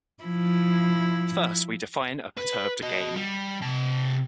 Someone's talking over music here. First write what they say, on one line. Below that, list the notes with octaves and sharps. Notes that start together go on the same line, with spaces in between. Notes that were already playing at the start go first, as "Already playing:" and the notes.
First we define a perturbed game.
F3 E4
B4
F#4 D#5
G3
C3 A5